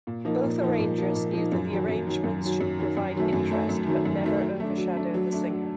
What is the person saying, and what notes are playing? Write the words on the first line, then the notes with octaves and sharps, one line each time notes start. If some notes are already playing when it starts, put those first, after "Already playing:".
Both arrangers knew that the arrangements should provide interest, but never overshadow the singer.
A#2
F3 A#3 D#4
A#2
F3 A#3 D#4
A#2
F3 A#3 D#4
A#2
F3 A#3 D#4
F#2
D#3 F#3
F#2
D#3 F#3
F#2
D#3 F#3
F#2
D#3 F#3
F#2
D#3 F#3 A3
F#2
D#3 F#3 A3
F#2
D#3 F#3 A3
F#2
D#3 F#3 A3
F#3
A3 D4
F#3
A3 D4
F#3
A3 D4
F#3